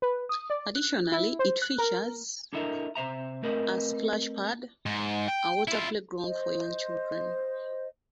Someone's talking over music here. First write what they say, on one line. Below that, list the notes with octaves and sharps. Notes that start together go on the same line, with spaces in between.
Additionally it features a "splash pad", a water playground for young children.
B4
D#6
D5
F#6
E4
C5
F#6
A#4
D4 E4 A4 A#4 D#5 E5
C3 C5 E5 A#5
A3 C4 A#4 B4 D#5
G#2
G5
E4 F4
C5 D#5